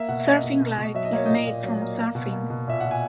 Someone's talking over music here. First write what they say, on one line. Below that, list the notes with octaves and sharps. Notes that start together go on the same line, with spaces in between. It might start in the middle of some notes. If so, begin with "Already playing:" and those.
"Surfing Life" is made from surfing.
Already playing: A#3 E5
B2 F#5
E5
A#3 D#5
B2
B2
B2
F#3 E5
D#5
A#3 C#5
A#2 D#5
A#2
F#3
A#3
A#3
B2
A#3
B2
A#2 E5
A#2 F#5
G#5